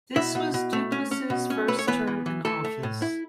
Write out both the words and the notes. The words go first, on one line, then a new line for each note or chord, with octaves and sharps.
This was Duplessis's first term in office.
B2 E4 E5
B2
B2
A3
C#4
C#4
B2
C#4
A3 B4
C#5
E3 B3 B4
E3
E3
E3 A3 A4
A3
A2
E4